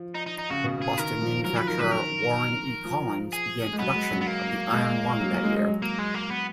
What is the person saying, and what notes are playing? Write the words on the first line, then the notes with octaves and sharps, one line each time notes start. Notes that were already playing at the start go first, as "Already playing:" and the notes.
Boston manufacturer Warren E. Collins began production of the iron lung that year.
Already playing: F3
D#4
D#4
D#4
C#3 F#4
B2
C#3 G#4
D#3 A#4
F3
F#3 A#4
F3 B4
D#3 A#4
F#3 B4
D#3 A#4
F3
G#4
G#3
F#3 B3
G#3
F#3
B3
A#3
G#3
F#3
F#3
G#3
G#3
F#3
A#3
G#3
A#3
B3